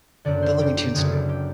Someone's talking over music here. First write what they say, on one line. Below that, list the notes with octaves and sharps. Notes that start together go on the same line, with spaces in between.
The Living Tombstone.
F#1 F#2 D3 D5
C5
G4
G4
F#1 F#2 D3 G#4
A4
G4